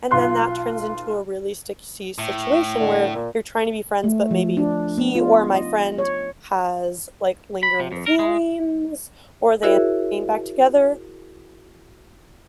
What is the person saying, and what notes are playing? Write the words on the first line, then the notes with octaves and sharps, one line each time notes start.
and then that turns into a really sticky situation, where you're trying to be friends, but maybe he or my friend has, like, lingering feelings or they end up getting back together.
B1 F4 C6 F#6
A2
D3
A#2
A3
F3
D4
B3
F4
D#5
C#5
B5
C3
F2
A#4
G#3
E4 F#4 G#4 A#4 C#5 E5